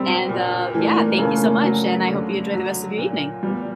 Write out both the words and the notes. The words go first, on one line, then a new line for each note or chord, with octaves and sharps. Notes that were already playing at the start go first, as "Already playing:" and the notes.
And, uh, yeah, thank you so much, and I hope you enjoy the rest of your evening.
Already playing: G3 C4
A#2
E3 A3
A#3
A#3
C#3 A3
A#3
F#3
D3
F#3
A#2
G3 B3